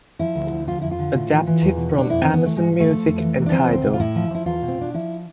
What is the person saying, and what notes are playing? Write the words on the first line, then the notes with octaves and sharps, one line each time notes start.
Adapted from Amazon Music and Tidal.
F3 E4
D2
D3
F3 F4
F2 E4
F4
D3
A2
E3
E3
E2
B2
B2 D4
F2 E4
E3 C4
B3
E3 A3
G#2 G#3
F3
A3
F3
F2
E3
E3
D4
F3 C4
D2
C3
F4
A2 E4
F3
F3 E4
E2 F4
B2
C4
B2 D4
F3 E4